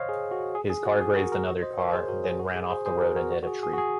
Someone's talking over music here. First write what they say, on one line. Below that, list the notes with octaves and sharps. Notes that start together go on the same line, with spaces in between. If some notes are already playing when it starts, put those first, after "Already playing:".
His car grazed another car then ran off the road and hit a tree.
Already playing: C5 C#5 D#5 F5
G#4
F#4
G#4
G#4
F#4
G#4
F#4 A#4
F#4 A#4
F#4
C5 D#5
A#4 C#5
G#4 C5
F#4 A#4
G#4
F#4
G#4
G#4 C5
G#4 C5
F#4 A#4
F#4 A#4
F#4
F#4
G#4
G#4
F#4
G#4